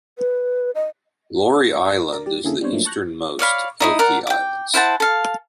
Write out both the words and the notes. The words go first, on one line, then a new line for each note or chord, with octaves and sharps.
Laurie Island is the easternmost of the islands.
B4
D#5
A#4 D5
G3 G4 D5
D3 A#3 C#4 E4 G#4 A4
G3 B3 C4 D4 C5 C#5
F3 F#3 A3 A#3 D4
A5 C#6 F#6 G6 A#6
C#5 D5 F5 B5
D#4 E4 D#5
A#4 D5 F#5
G5 D6
E4 C5 F#5 A5
A4 F5